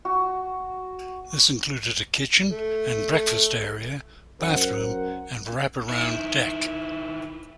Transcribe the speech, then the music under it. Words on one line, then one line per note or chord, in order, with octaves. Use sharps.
This included a kitchen and breakfast area, bathroom, and wraparound deck.
F#4
A3
F#2 A#4 C5 F#5 C#7
D#3 E4